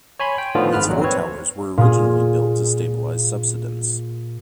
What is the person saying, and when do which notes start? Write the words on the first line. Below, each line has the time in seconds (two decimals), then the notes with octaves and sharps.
Its four towers were originally built to stabilise subsidence.
0.20 C#5 G#5 B5 C6
0.38 G5
0.55 A2 D3 D#3 F3 B3 F4
0.73 G#1 G#2 B5 F6 F#6
0.88 F2 A#2 D#3 F#3
1.01 C4 B4 C#5
1.78 A#2 F4 G#4